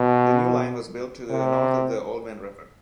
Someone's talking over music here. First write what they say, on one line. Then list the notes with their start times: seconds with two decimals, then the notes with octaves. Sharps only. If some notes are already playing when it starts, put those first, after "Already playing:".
The new line was built to the north of the Oldman River.
Already playing: B2
1.30 C3